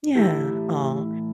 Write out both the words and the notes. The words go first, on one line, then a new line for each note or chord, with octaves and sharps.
Yeah, aw.
A2 E3 E4 G4